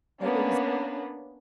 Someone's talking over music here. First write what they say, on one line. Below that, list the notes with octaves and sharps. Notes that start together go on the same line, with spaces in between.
Like, it was
A#3 B3 C#4 D4